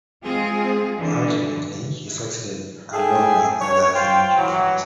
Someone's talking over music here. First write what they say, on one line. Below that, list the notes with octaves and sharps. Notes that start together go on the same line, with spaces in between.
Ultimately he succeeded along with others in reaching France.
G#3 C4 F4 G#4
D3 E3
G#4 A4 E5 G5 G#5
C#5
F4 C5 G5
E3 F#3